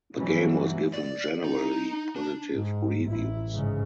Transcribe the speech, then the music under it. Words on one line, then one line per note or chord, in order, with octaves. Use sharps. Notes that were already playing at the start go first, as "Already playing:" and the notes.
The game was given generally positive reviews.
G2 B2 E3 F#3
D5
D#4
D4
G#2
A1 E4
G#2 C#3